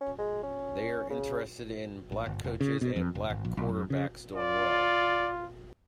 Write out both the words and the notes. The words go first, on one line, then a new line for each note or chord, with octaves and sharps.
They're interested in black coaches and black quarterbacks doing well.
C#4
G#3
C#4
C#3
A1
G1
F1
C#3
B2
F2
F1
G#1
A#1
B1
F#2
C#3
F4 D5